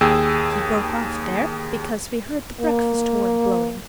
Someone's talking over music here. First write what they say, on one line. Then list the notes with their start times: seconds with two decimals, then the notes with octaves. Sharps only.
He broke off there, because we heard the breakfast-horn blowing.
0.01 D#2 G#4 G5 E6
2.61 A#3